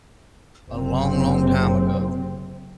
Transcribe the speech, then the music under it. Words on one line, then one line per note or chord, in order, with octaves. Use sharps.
a long, long time ago,
F#1 C3 C4